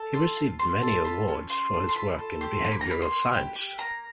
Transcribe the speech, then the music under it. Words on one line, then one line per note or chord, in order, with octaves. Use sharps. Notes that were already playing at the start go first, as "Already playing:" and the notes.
He received many awards for his work in behavioral science.
Already playing: A4
F4 C6
F4
F4 C6
A4
F4 B5
C#4
F4 C6
A4
C6
F4 B5
A4
G4 C6
A#3
B5
A#5
A#3 B5
C6
A#3
G4 B5
G4
A#3 A#5